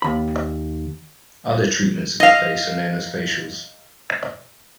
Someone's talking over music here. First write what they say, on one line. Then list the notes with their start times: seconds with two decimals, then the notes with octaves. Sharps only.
Other treatments of the face are known as facials.
0.02 D#2 B5
2.20 D#5 F5